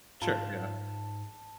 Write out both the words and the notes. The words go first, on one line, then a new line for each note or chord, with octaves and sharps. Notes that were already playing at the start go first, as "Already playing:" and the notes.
Sure, yeah.
G#2 F4 A5